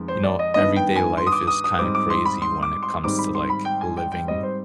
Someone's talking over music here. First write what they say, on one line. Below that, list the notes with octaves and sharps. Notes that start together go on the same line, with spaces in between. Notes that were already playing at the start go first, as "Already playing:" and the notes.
you know, everyday life is kind of crazy when it comes to, like, living
Already playing: F2 D#3 G#3 B3
C5
D5
D#5
G2 D#3 B3 D#5
G5
G#5
C6
D#6
D6
D#6
D#6
G#2 G3 C4 D6
D6
C6
B5
C6
D6
C6
G#2 D#3 G3 C4 D6
B5
C6
B5
G5
G#5
G5
G5
G#2 G3 C4 D#5
C5